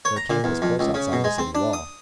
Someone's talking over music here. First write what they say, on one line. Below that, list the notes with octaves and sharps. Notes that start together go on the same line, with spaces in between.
Their camp was close outside the city wall.
C#5
A#5
A#2
E2
F2
C#2
C#3
B2
G#3
C4
D4
D#6